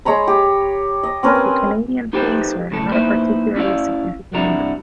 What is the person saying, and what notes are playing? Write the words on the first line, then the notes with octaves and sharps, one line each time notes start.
The Canadian Pacer had a particularly significant impact.
G#3 C#5 A#5 B5
G4
D#5
C4 C#4 A#4 B4
G#5
D#4 G4 A4 B4 C5 G5
B1 A2 C#3 A4
A#3 B3 D#4 E4 B4 C5
C#4 E4 D5 F5
G2 C3 D4 E4 F#4 A#5